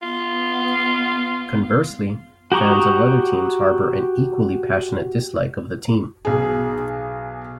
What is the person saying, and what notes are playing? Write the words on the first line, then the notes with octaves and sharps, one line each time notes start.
Conversely, fans of other teams harbour an equally passionate dislike of the team.
B3 F4
F#4 G4 A#5 C#6 D#6
B1 G#4